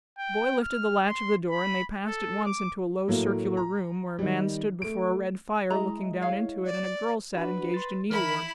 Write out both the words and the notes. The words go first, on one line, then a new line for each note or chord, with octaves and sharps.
The boy lifted the latch of the door, and they passed at once into a low circular room, where a man stood before a red fire, looking down into it, and a girl sat engaged in needlework.
G5
F6
C6
B5
A4
D6
A2 F#3 A3 A#3
A#5
D#3 G3
A3 D7
G#3 E4 D#5 A#5
C#5 F5
D5
D4 F#4 B4
C6 A6
E3 E4 A#4 B5